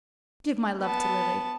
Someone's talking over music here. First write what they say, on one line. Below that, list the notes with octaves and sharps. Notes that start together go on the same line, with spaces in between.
Give my love to Lily.
B3 A5